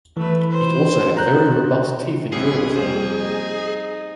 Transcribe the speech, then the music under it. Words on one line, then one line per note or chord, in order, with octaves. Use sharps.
It also had very robust teeth and jaws.
E3 A3 B4
C5
A#5 F#6 G6
B1 C3 G#4 C7
F2 G3 A#3 C5
D#4